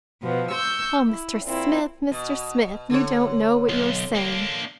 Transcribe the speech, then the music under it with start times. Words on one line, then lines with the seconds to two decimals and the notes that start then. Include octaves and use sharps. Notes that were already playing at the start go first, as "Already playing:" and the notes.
"Oh, Mr. Smith, Mr. Smith, you don't know what you are saying!"
0.22 B2 F3 B3
0.52 C#6 E6 G6
1.07 E4
1.46 A#2 C4 E4
2.12 B2
2.90 D3 C#5
3.69 B1
4.15 A#3 D4